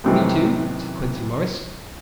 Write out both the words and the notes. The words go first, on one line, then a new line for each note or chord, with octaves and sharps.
"Me too?" said Quincey Morris.
F#2 A2 C3 D#3 E3 F#3